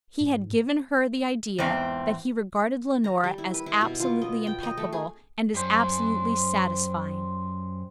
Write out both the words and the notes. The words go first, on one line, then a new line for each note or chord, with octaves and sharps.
He had given her the idea that he regarded Leonora as absolutely impeccable and as absolutely satisfying.
G#2
E2 G#2 C4
A#5
G3
E4
B4
E4
B2
F4
D#5
G5
D#5
A3
G#4
F#2 G3 C5